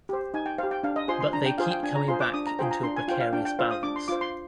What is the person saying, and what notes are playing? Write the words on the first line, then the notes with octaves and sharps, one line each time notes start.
But they keep coming back into a precarious balance.
G4 C5
D#4 G#5
G5
G4 C5 F5
G5
D4 F5
D#5
F4 G#4 C5 C6
C6
D4 A#5
G5
F4 G#4 C5 F5
G5
D4 G#5
A#5
F4 G#4 C5 C6
D6
D4 D#6
A#5
F4 G#4 C5 G5
A#5
D4 C6
G#5
F4 C5 G5
F5
D4 G5
G5
F4 C5 F5
D#6
D4 D6
C6
F4 C5 D6
C6